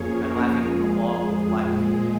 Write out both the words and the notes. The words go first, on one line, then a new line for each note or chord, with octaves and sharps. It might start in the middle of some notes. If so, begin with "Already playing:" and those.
I'm laughing along with life.
Already playing: F2 F3 A#3 C#4 G#4 C#5
A#4
F2 F3 G#3 G#4
A#2 F3 G#3 G#4